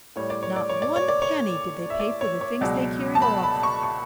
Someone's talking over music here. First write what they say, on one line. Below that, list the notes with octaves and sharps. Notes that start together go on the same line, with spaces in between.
Not one penny did they pay for the things they carried off.
A2 G3 C#5
D5
C#5
D5
C#5
D5
C#5
D5
C#5
E5
D5
C#5
C#5
C#2 B2 F#3 D5
A5
B5
B5
C#6
C#6